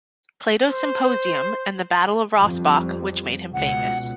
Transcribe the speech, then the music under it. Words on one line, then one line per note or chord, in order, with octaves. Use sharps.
"Plato's Symposium" and the "Battle of Rossbach" which made him famous.
C5
F2 G3
C#2 B2 F#5